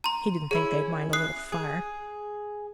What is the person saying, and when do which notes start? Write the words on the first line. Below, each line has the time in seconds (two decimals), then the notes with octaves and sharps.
He didn't think they'd mind a little fire.
0.04 A#5 C6
0.51 C#4 E4 G#4
1.13 D#6 F#6 C7
1.52 G#4